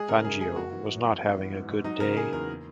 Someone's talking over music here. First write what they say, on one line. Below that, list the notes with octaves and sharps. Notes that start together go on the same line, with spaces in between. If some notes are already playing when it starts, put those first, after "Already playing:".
Fangio was not having a good day.
Already playing: G#3 G#4
C#3 A#4
F#2 G#4
F#2 G#4
A#3 F#4
E3
F#2
F#2
B3
E3
G#2
G#2
F#3 D#4
C#3 A#4
A#3 G#4
E2 A#4
A#3